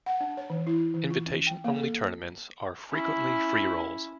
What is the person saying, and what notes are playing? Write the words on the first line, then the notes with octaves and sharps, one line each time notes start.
Invitation-only tournaments are frequently freerolls.
F#5
D4
C#5
E3
E4
E3
F4
C#4
G5
A#3
A4
C#4 E4